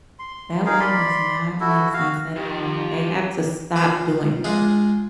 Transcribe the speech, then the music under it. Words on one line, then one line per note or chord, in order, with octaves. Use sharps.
That one does not make sense at all, they have to stop doing that.
C6
D#4 G#4 A#4 F5
D5 B5 C6
E4 F#4 A4
F#4 F5
F2 G4
F4 B4 C5
G#3 D4 D#4 F4 G#4